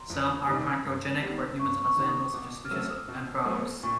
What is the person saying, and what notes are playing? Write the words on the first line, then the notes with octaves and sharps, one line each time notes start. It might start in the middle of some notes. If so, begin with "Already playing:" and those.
Some are pathogenic for humans and other animals such as fishes and frogs.
Already playing: A#5 C6
F2
C3 D#3 G3
G2
D#3 G3 B3 D#4
G2 C#6
C#6
D#3 G3 B3 D#4
D#6
B2 D6
D6
F6
F#3 A3 C4 E6
D#6
B2
F#3 A3 C4
A#2 C#6